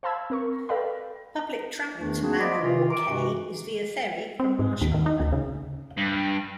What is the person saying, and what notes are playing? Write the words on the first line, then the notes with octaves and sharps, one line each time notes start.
Public travel to Man-O-War Cay is via ferry from Marsh Harbour.
C5 F5 A5 B5 E6 G#6
C4 A#4 C#6
A4 B4 D5 F5 G5 B5
E2 D#3 A3 D4
A#3 C4 D4 D#4 F#4 G#4
C5 D5 D#5 B5 D6
C3 D#3 E3 F4
A#5 D6
G2 C3 E3 G#3 C#4 F#4
C4
G#2
D#2
D#3
D#4
D2
C#3
G2